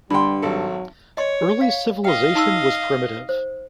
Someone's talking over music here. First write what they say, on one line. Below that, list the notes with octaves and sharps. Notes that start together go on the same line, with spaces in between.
Early civilization was primitive.
G2 D3 G3 G5 B5 C6
G#1 F#3 A4
C#5 D#5 C6
F5
D#5 F5 G5
D#4 C6 E6
C5